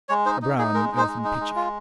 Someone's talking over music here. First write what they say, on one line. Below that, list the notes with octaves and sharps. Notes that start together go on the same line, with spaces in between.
A brown earthen pitcher!
G#3 C#5
D#4 C5
D#4
D#4 G#4
G#3 A#4
D#4
C5
G#3
D#4
G#3
F4